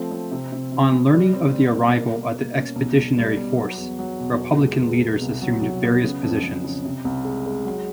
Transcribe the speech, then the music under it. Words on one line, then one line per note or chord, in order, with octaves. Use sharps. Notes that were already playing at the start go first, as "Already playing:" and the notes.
On learning of the arrival of the expeditionary force, republican leaders assumed various positions.
Already playing: F3 A3 C4
C4
C3
C3
C3
C3
G3
C4
G3
G3
A#3
B2
A#3
C#4
B1
G3
G3
B1
F#3
E2
F#3
B2
E2
G#3
E2
B2
C2
F#3
F#3
B3
C#3
F2
F2
C#3
C3
C2
G#3
G#3
F#3